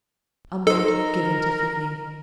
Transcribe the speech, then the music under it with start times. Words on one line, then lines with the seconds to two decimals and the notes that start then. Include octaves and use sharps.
I'm not given to feelings.
0.67 D#4 A4 A#4 C5